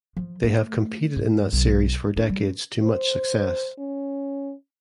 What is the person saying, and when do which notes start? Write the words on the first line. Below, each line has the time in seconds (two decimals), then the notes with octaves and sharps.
They have competed in that series for decades to much success.
0.17 F3
0.43 A3
1.16 G#2
1.52 B1
2.16 D4
2.29 G3
2.83 C5
3.79 C#4